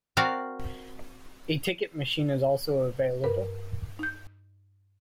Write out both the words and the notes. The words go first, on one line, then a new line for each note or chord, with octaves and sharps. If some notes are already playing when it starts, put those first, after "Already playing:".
A ticket machine is also available.
C4 F#4 A#4 D5 F5
G2 A#4 B4
D#4 G6